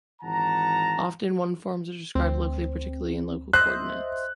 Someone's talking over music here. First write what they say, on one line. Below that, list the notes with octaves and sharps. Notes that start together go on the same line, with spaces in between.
Often one-forms are described locally, particularly in local coordinates.
G#1 E3 F#5 A5 A#5
D2 C4
C5 D#5 E5 F#6